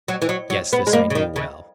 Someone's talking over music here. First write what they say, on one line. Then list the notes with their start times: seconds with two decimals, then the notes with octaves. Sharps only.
Yes, this I knew well.
0.08 F#3
0.22 E3
0.29 F#3
0.50 F#3
0.73 B3
0.87 G#3
0.93 A#3
1.10 C#3
1.15 D#3
1.36 C#3